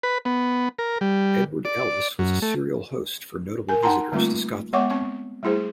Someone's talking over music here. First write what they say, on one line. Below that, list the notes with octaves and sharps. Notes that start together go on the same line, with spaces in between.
Edward Ellice was a serial host for notable visitors to Scotland.
B4
B3
A#4
G3
D5
F#2
A3
A#4 G#5
D#4 F#5 G5 A5 A#5 C6
D3 G3 A3 A#3 C4 F4
G#3 B3 C#5 F#5 C#6 D6
C4 C#6
G3 A3 E4 G#4 C5